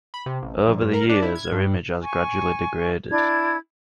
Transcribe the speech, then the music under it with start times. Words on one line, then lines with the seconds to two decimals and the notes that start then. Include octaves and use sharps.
Over the years, her image has gradually degraded.
0.14 B5
0.26 C3
0.43 A1
0.68 A#1
0.81 G2
0.94 A#4
1.09 D4
1.22 E4
1.35 G#6
1.52 G2
2.02 G#5 C#6
3.09 D4 E4 G#6